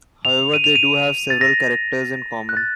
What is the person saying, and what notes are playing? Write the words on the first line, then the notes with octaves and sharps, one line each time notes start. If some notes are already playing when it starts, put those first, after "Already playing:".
However, they do have several characters in common.
F7
D#7
F7
D#7
A6
A#6
F#6
A6